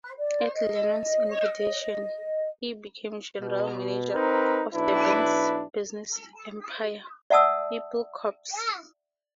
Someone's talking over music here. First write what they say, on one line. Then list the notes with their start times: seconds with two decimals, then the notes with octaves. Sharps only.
At Lennon's invitation, he became general manager of the band's business empire, Apple Corps.
0.19 D5
0.55 D#5
3.41 B2
4.13 C4 D#4 A#4 B4
4.75 B1 D4 E4 B4
7.30 D5 E5 F#5 A5 D#6 E6